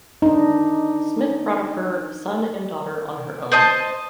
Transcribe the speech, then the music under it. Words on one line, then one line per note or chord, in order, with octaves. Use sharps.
Smith brought up her son and daughter on her own.
D4 D#4
C5 D#5 A5